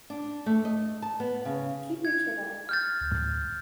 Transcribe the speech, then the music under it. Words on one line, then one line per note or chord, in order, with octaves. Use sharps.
Keep your chin up.
D4
A3
D#5
A5
B3
C#3
G#6
F6 G6 A6
D2